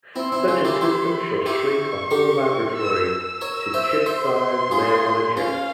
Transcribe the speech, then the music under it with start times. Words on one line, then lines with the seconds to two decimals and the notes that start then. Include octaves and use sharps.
Such a system shall shrink a whole laboratory to chip-size lab-on-a-chip.
0.16 C4 E4 C6
0.32 C4 E4
0.48 C#4 F4
0.65 E4 G4
0.81 E4 G4
1.46 E4 G4 C#6
2.11 G4 A#4
2.76 E6
3.09 E6
3.41 A#4 C#5
3.74 C5 E5
4.06 C5 E5 C6
4.71 F4 G#4
5.37 C#4 F4 F5